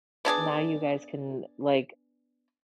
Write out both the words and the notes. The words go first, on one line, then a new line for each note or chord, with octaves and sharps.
Now you guys can, like,
B3 D4 G#4 D5